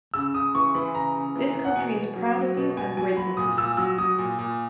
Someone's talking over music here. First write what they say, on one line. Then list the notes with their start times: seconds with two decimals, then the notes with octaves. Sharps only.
This country is proud of you, and grateful to you.
0.14 C#3 E6
0.34 C#3 D#6
0.55 E3 C#6
0.74 E3 B5
0.95 C#3 A#5
1.15 C#3
1.36 E3
1.55 E3
1.65 F#5
1.76 B2 G#5
1.96 B2
2.16 F#3
2.37 F#3
2.57 B2
2.77 B2 G#5
2.97 F#3 G#5
3.17 F#3 B5
3.37 A#2 D#6
3.57 A#2 E6
3.77 F#3 E6
3.98 F#3 D#6
4.18 A#2
4.39 A#2